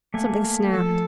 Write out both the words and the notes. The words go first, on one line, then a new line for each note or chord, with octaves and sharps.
Something snapped.
A3 A#3 G#5
F3 A4